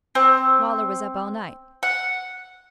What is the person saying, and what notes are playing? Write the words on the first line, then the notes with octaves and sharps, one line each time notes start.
Waller was up all night.
C4
F#5